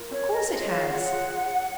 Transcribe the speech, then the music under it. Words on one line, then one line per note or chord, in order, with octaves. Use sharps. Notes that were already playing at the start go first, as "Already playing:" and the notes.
"Of course it has."
Already playing: F4 A#4
C#5
D#5
F4 G#4 C#5 D#5
F5
F#5